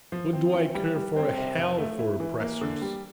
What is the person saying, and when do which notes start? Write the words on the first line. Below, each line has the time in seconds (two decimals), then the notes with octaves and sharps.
What do I care for a hell for oppressors?
0.12 F3
0.33 C4
0.53 E3
0.75 G3
0.96 G3
1.16 C4
1.37 C3
1.58 F1
1.78 A3
1.99 E4
2.20 E3
2.40 A#3
2.61 D3
2.82 G3